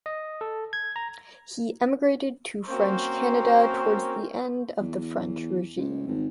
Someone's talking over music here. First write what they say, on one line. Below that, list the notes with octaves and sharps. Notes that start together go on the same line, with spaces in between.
He emigrated to French Canada towards the end of the French Regime.
D#5
A4
G#6
A#5
A#3 C4 C#4 F#4 A#4 C5
E2
C#2
G#1